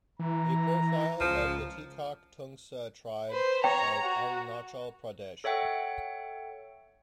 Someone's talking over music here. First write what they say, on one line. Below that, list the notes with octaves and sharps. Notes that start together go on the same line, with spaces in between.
A profile of the Tikhak Tangsa tribe of Arunachal Pradesh.
E3 A#5
C#2 F3
B4 C5
C#5 G5 A#5
F#4
A4 C#5 E5 F#5 G5